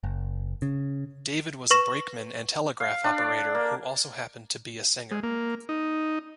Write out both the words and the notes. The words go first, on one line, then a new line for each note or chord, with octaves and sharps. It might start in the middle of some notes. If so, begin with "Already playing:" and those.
David was a brakeman and telegraph operator who also happened to be a singer.
F#1
C#3
B4 C#6 A#6 E7
F5
D4
D5
A#3
G#3
A#3
D#4